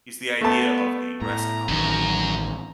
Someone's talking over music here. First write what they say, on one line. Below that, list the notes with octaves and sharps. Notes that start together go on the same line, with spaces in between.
is the idea of a rest hour.
A3 B3 A5
A2 A#5
A1 F#2 D#3